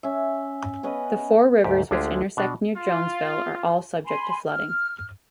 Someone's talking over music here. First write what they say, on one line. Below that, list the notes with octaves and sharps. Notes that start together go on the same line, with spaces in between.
The four rivers which intersect near Jonesville are all subject to flooding.
C#4 E5
B3 C#4 B4 D#5
D2 G#2 G4
D2 D3 G#3 F4 G4 G#4
B2 D4 D#5 F#5
F4
G#5 B5 C6
F6